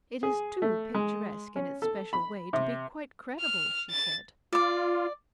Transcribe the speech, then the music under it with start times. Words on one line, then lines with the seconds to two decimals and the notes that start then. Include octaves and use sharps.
"It is too picturesque, in its special way, to be quite credible," she said.
0.23 G#4
0.62 A3
0.94 G#3
1.56 C#4
1.82 A4
2.13 B5
2.53 C3
3.40 F6
3.90 A6
4.53 F4 D5 D6